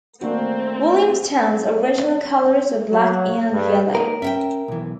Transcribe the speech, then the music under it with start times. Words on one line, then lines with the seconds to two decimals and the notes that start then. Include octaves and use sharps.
Williamstown's original colours were black and yellow.
0.21 A3 A#3 C4 D4 F#4
2.91 F#3
3.52 G2
3.95 A#3 D#4 A#4 B4
4.22 C#4 E5 F#5 G5
4.68 B1 E3